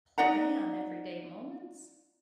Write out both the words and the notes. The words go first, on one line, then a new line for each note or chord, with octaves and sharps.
plan everyday moments,
D#4 D5 F#5 A#5